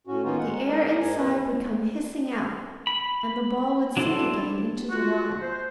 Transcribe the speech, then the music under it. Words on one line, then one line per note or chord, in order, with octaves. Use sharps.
The air inside would come hissing out, and the ball would sink again into the water.
A2 C#4 F#4
D#3 A#3 B3 C#4 D#4 F4
G#3 F#5
G#3 D#4 A#4 D5 D#5
G#2 D#5 G#5
E2 B3 B4
B5
F#3 D4 E4 A4 C5
F4 F#4
C5